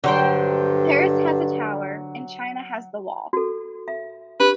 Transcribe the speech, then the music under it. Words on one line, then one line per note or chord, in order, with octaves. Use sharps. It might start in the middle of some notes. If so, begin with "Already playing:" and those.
Paris has the tower and China has the wall.
G2 D3 F#3 C5 G5
F#4 A4
E5
D4 G4 B4